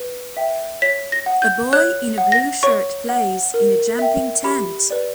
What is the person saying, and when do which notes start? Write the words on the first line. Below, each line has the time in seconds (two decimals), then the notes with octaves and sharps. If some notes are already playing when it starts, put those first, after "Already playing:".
A boy in a blue shirt plays in a jumping tent.
Already playing: B4
0.37 E5 G5
0.82 C#5 B6
1.12 A#6
1.26 F#5
1.42 G6
1.73 C#5 F#6
2.18 F#5
2.32 A#6
2.63 C#5 C#6
3.09 F#5
3.54 A#4
3.99 E5 G5
4.44 G4 B5
4.90 B4 D5